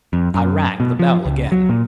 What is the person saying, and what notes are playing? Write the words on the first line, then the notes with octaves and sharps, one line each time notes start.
I rang the bell again.
F2
F#2
B2
F3
C#2
F#3
A#2